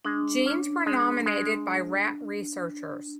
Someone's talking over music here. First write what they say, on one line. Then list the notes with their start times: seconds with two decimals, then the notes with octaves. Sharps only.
Genes were nominated by rat researchers.
0.05 G#3 D4
0.46 C#4
0.86 G#3
1.26 G#3